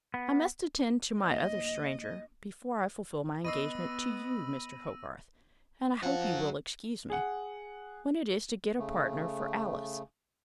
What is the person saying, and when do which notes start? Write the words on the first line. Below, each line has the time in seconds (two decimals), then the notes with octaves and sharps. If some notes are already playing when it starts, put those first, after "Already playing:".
I must attend to my other stranger before I fulfil my engagement to you, Mr. Hogarth, and I hope you will excuse me, when it is to get a partner for Alice.
0.14 B3
1.21 D#2 D#5
3.45 B3 D#5 B5 C#6 E6 A#6 C7 D#7
6.03 F#2 F3 F#5
7.10 G#4 F#5
8.79 C#3 A3